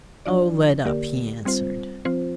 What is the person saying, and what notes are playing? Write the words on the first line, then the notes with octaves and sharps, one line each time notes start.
"Oh, let up," he answered.
F3 D4 F4 D5
D3 A#3 G4 A#4 D5
G3 C4 F4 C5
F3 C4 F4 C5